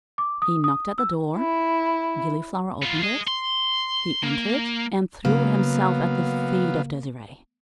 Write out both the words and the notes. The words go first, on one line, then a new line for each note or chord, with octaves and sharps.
He knocked at the door, Gilliflower opened it; he entered, and threw himself at the feet of Desiree.
D6
D#6
D#6
E6
E4
B3 F4
G#4 D#5
C6
A#3
C#3 F#3 A#3 B3 F5